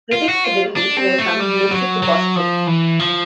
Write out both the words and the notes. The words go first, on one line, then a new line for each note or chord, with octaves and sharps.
Critics for the release were from mixed to positive.
F4
F#4
F4
D4
C4
A3
G3
F#3
F#3
F3
E3
F3